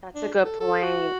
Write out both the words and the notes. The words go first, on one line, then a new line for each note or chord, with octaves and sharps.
That's a good point.
D4
A4
A4
F#4